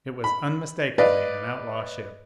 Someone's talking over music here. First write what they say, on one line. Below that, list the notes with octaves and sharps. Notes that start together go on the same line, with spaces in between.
It was unmistakably an outlaw ship.
B5
B4 D5 D#5 F5